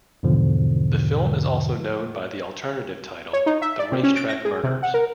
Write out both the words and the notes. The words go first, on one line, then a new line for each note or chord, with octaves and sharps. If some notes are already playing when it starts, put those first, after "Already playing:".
The film is also known by the alternative title The Racetrack Murders.
E2 G#2 B2 D3 F3
C#5
D#4
E5
D5
C3
C#4
D7
A#6
G#4
C3
F#5
A#4